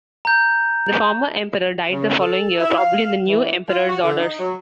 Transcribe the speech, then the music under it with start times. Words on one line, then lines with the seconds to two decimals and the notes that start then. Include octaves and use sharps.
The former emperor died the following year, probably on the new emperor's orders.
0.25 A#5 G6
1.91 C#3
2.20 A4
2.59 E4
2.78 F5
3.28 E3
3.69 F4
3.89 F#4
4.04 D3
4.18 D#4
4.39 F#3